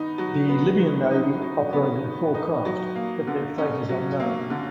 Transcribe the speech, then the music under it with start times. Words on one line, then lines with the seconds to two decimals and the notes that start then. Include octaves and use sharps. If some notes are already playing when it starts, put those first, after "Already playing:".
The Libyan Navy operated four craft but their fate is unknown.
Already playing: D#3 B3 D#4
0.18 F#3
0.49 B3
0.79 D#3
1.11 D#4
1.42 F#3
1.73 B3
2.04 D#3
2.34 D#4
2.65 F#3
2.95 A#3
3.27 D3
3.58 C#4
3.89 F#3
4.20 A#3
4.50 D3